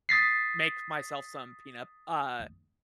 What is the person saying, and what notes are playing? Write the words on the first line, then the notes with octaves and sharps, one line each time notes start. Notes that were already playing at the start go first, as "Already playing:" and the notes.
make myself some peanut, uh
D#6 A6 B6 C7